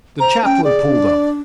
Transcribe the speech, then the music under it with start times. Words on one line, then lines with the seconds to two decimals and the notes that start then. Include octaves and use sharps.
The chaplain pulled up.
0.20 C5 A#5
0.45 C#4 G5
0.64 G#4 D5
0.89 D4